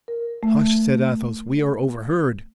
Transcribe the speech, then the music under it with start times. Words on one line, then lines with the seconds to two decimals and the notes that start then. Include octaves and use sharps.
"Hush!" said Athos, "we are overheard."
0.08 A#4
0.43 A3